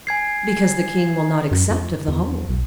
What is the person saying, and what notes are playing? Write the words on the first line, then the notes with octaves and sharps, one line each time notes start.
"Because the king will not accept of the whole."
G#5 G#6 C7
F#2
F2
E2
B1